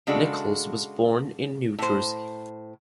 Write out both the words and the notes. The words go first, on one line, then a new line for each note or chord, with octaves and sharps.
Nichols was born in New Jersey.
C#3 G#3 D4 F#4 A4
A2 C5